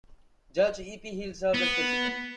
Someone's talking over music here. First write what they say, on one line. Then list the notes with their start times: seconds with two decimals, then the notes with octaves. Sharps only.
Judge E. P. Hill served as president.
1.54 B3